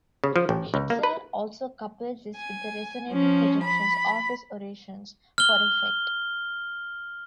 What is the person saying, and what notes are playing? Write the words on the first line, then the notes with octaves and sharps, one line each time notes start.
Hitler also coupled this with the resonating projections of his orations for effect.
C#3
F3
A1
C#2
A#3
B4
G#5
F3 C#4
B5
F6 G7